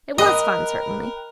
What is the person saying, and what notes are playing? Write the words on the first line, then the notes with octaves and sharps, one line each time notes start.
It was fun, certainly.
A#4 D#5 G5 B5 F#6